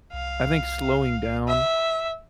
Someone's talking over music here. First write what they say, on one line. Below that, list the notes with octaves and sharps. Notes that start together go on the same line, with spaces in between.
I think slowing down
C2 F5
E5